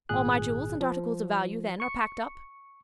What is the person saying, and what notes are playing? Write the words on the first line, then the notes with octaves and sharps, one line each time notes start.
"All my jewels and articles of value, then, are packed up?"
G#1 A#2 G#4 F#6
F3
C#6 C#7